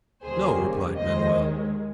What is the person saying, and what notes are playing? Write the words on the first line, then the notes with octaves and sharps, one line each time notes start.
"No!" replied Manoel.
D#2 C#3 G3 A#3 G#4 C5
D#2 D#3 G#3 C5 D#5